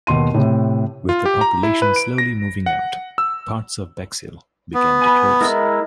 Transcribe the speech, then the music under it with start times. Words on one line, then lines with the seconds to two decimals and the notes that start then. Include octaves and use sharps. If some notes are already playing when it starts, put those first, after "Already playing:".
With the population slowly moving out, parts of Bexhill began to close.
0.07 D#2 B2 C6 D#7
0.34 A2 C3
1.09 F4
1.26 G4
1.41 A#5
1.63 E4
1.82 B4
1.96 D7
2.18 A#6
2.66 F#5
3.18 E6
4.74 B3
5.02 G#5 B5
5.41 G#3 E4 A#4